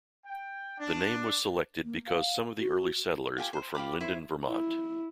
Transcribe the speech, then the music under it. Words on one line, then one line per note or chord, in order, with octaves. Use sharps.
The name was selected because some of the early settlers were from Lyndon, Vermont.
G5
D4
A#3
F5
F#4
F4 G4 G5 G#5
C5
F4 G4 B5 D6
E4 C5
E4